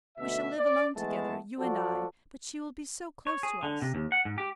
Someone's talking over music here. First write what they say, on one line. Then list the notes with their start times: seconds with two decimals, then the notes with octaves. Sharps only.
We shall live alone together, you and I; but she will be so close to us!
0.17 D2 B2 E5
0.58 D5
0.97 E3 G#3 A3 B3 A5
1.58 F3 F#3 F#4 A4 D5
3.27 C#5
3.43 G#4
3.63 D3
3.82 C3
3.95 D#2
4.12 F#5
4.25 G#2
4.38 G4